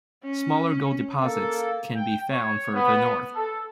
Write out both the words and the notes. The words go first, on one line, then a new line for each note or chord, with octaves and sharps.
Smaller gold deposits can be found further north.
C#4
A#3 A4
G5
C#5
B3
A4